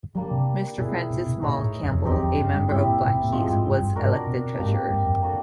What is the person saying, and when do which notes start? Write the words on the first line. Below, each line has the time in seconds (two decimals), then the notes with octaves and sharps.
Mr Francis Maule Campbell, a member of Blackheath, was elected treasurer.
0.15 F#3 G3 A#3 D4
0.31 C3
0.78 B2 E4 G#4 B4
1.10 B2
1.26 B2
1.42 A#2 D#4 G#4 C#5 E5
1.58 A2
1.83 F#2
1.90 F2
2.05 E2 C4 D#4 G4
2.16 E2
2.22 F2
2.37 F#2
2.53 G2
2.69 G2 C4 E4 G4
2.84 A#2
3.01 A2
3.11 B2
3.21 A#2
3.32 A2 F3 G#3 C4
3.48 G#2
3.64 G#2
3.80 G2
3.95 G#2 D4 F#4 A#4
4.27 B2
4.58 G#2 A#3 D#4 G4
4.90 G2
5.06 F#2
5.22 A#3 D4 F#4 A4